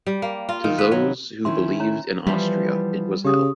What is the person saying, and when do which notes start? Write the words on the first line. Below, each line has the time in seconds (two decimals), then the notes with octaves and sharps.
To those who believed in Austria it was hell.
0.07 G3
0.22 A#3
0.49 F4
0.64 D#3
0.78 B4
0.92 F#3
1.45 D#3 C#4 E4 C6
1.80 C#5 A#5
2.27 E3 F3 G3 B3
3.25 C#3 G4 D#6